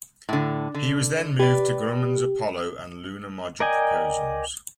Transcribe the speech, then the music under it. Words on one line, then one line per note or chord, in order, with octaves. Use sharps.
He was then moved to Grumman's Apollo and Lunar Module proposals.
A2 D3
D3
G4 B4 D5
A#4 D5 D#5 G5 G#5